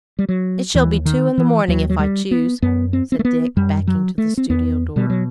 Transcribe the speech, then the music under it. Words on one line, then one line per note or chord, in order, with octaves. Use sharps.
'It shall be two in the morning, if I choose,' said Dick, backing to the studio door.
G3
F#3
D#2 E3
D#3
E3
D#2 F#3
F#3
G3
B3
F#2 B3
C4
C4
A3
B3
F#2 G3
F#3
A3
C4
E2 B3
B2 G3
F#3